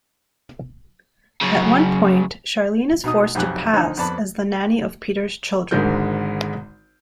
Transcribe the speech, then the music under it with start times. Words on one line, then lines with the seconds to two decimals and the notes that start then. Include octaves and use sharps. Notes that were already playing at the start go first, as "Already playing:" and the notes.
At one point, Charlene is forced to "pass" as the nanny of Peter's children.
1.41 F#2 C#3
3.04 B2 D#4 D#5 D#6
3.35 B1 F2 G4 G#5 F#6
3.73 D3 F3 D#4
3.97 F2 B3 D5 A5 B5
5.71 G#1 G#2 D3 G#3 A#4 G6